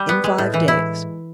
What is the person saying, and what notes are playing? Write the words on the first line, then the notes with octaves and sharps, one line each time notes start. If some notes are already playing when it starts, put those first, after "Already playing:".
"In five days."
Already playing: G3
B3
G#3
A2
E3
E4